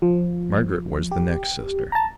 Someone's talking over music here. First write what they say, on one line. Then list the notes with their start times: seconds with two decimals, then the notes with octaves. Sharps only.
Margaret was the next sister.
0.02 F3
1.11 G4
1.92 A5 A#5